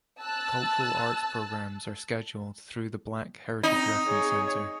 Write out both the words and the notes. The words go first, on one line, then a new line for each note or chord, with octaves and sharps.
Cultural arts programs are scheduled through the Black Heritage Reference Center.
A5 E6 F#6 A6
C4 D#4
G#4 C#5